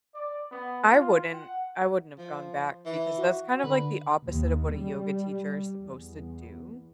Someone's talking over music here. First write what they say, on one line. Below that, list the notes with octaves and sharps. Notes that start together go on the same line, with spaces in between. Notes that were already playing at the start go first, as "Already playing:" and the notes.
I wouldn't I wouldn't have gone back because that's kind of like the opposite of what a yoga teacher is supposed to do.
D5
B3
F4
F#5
F3
E3
F#4
D3 B4
D#2
G3
E2